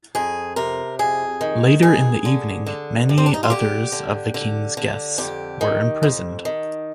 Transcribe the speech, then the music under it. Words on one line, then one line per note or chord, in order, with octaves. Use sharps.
Later in the evening, many others of the king's guests were imprisoned.
F2 G#4
C3 A#4
F2 G#4
D#3
G2 G#4
D3
D3
G2
C4
D4
D#4
F4
D3 G4
D3
D3
D3
F2 G4
D#3
F2
D#3